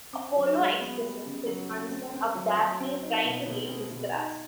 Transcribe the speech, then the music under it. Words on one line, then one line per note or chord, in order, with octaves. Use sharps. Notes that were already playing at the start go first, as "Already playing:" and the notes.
Apollo expresses his concern of Daphne trying to leave his grasp.
C4
F#3
G#3
B3
G3
C#3
F#3
A3
C4
C4
F#3
F#3
C4
D#4
B2
B2
C4
B2
D#4